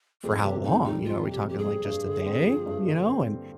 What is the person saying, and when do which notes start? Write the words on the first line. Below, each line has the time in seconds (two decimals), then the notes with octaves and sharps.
for how long? You know, are we talking, like, just a day?" You know? And
0.24 F2 G#4
0.43 C3 G4
0.64 F2 D#4
0.84 G3 D#4
1.04 F2 F4
1.24 C3
1.31 G4
1.45 F2 G4
1.58 G#4
1.65 G3
1.85 G2
2.05 D3
2.26 C4
2.46 F3
2.66 G2
2.86 D3
3.06 C4